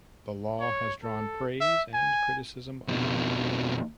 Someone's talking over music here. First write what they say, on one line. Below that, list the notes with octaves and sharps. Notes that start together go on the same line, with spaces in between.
The law has drawn praise and criticism alike.
C#5
A4
E5
G#5
F2 B2